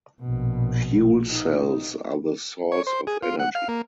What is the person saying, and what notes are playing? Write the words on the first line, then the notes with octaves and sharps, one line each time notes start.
Fuel cells are the source of energy.
A#1 B2
D#4
C#5
C5
G#4
F4
F#5
F5
A#3